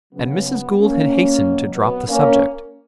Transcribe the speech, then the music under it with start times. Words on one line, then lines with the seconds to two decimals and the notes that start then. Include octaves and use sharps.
And Mrs. Gould had hastened to drop the subject.
0.13 C#3 F#3 B3
0.46 B3
0.78 A#3 C#4
1.43 B2 F#3
1.75 B3
2.07 A#3 C#4